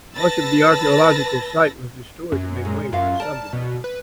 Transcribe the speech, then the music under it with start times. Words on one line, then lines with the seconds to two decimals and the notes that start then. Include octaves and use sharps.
Much of the archaeological site was destroyed to make way for the subdivision.
0.17 B4 A5 E6 A6 A#6
2.32 F#2
2.65 A#2 G#3
2.93 F#2 F4 E5 F5
3.20 A#4 D5 A5
3.53 B2
3.84 B4